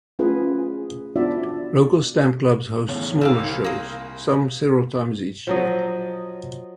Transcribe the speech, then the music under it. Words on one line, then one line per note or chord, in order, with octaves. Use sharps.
Local stamp clubs host smaller shows, some several times each year.
A3 C#4 F4 G#4 B4
B3 D4 F4 F#4 D5 E5
E2 A2 C#3
D#3 G3 D4 F5 E6
C2
A#3 G#4
F3 F#3 D#5